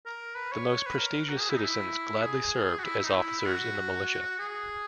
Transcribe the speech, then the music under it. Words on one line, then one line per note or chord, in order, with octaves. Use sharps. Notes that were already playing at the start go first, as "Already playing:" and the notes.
The most prestigious citizens gladly served as officers in the militia.
A#4
B4
C#5
B4
A#4
F#4
G#4
E4
D#4
E4
G#4
F#4
E4
E4
D#4
E4
E4
F#4
G#4